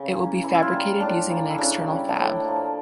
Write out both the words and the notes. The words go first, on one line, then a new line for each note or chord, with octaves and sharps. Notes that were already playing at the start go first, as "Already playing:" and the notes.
It will be fabricated using an external fab.
Already playing: C#3
E3 A#3 C#4
E3 E4
E4
F4
G3 A#3
A2 D4
E3 A#3
E4
C#3 D4
G3 C#4
D4
A2 E4
F3 A#3